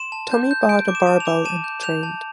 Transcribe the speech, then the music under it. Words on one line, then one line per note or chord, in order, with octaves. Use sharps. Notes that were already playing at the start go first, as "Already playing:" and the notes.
Tommy bought a barbell and trained.
Already playing: C6 E7
A5
G6
G6
G6 D7
D6
E7
A5
F7
D6
A5 E7
G6
G6 F7
A5